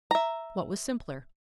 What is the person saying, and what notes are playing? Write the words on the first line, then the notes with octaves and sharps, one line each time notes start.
What was simpler?
E5 A#5